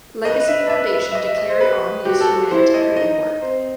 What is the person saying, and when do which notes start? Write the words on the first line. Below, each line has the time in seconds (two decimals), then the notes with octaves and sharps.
Legacy Foundation to carry on his humanitarian work.
0.25 B4 D#5
0.48 E5
0.70 E5
0.93 E5
1.11 E5
1.15 D#5
1.27 E5
1.38 D#5
1.49 C5
1.61 G4 B4
2.05 F#4 G4
2.21 A4
2.51 E4 C5
2.74 D#5
2.96 D#4 D#5
3.42 C4 C5